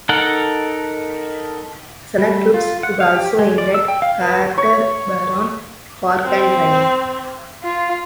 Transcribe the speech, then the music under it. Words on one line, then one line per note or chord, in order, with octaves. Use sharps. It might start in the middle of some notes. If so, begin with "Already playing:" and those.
Select trips would also end at Carter Barron Park and Ride.
D#4 A4 A#4 F#5
G3
F4
F#5
F5
G4
G#3
D5
E6
G5
F5
B4
C#5
C4
F4